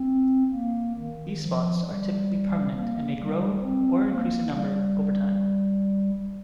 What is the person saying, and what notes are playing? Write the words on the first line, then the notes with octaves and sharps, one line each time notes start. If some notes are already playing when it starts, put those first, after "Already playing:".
These spots are typically permanent, and may grow or increase in number over time.
Already playing: C4
A#3
D#3
F3
G3
A#3
G3
C4
A#3
G3